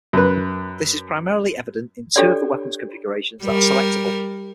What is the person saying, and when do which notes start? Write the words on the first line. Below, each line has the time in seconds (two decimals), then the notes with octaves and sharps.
This is primarily evident in two of the weapons configurations that are selectable.
0.13 F#2 B4
2.16 D4 G4 A4 C#5 D5
3.43 G3 A#4